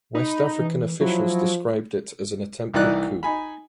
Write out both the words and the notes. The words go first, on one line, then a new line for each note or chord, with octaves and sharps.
West African officials described it as an "attempted coup".
D#4 B5
E3
F3 F#3 E4
C2 E3 D#4 E4 D5 F#6
D#4 G#5 B5